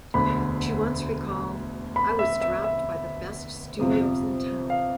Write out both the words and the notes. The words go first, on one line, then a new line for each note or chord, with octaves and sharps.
She once recalled, I was dropped by the best studios in town.
E1 D2 D3 B5
B5
E5
E5
E5
G1 F2 C3 F3
F5